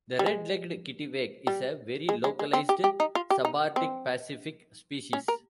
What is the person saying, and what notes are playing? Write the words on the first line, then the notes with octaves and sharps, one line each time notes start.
The red-legged kittiwake is a very localised subarctic Pacific species.
G3
G#3
G3
G#3
G#3
G#3
C4
G4
G4
D#4
F4
G4
D#4
C4
C#4
A#4